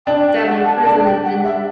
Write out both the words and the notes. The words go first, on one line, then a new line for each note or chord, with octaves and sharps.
deadly prison is in
D4 G5
G5
F#5
A5
D4 A5
G5
F#5
E5